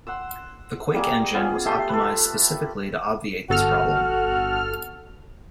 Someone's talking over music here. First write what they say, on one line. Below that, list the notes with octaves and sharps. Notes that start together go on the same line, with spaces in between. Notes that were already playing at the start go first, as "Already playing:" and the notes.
The "Quake" engine was optimized specifically to obviate this problem.
F#5 C6 E6
G3 A#3 G#4
B3 C#4 F4 G#4
A3 G4 A5 C6
A4 B4
G1 F#4 A4 F6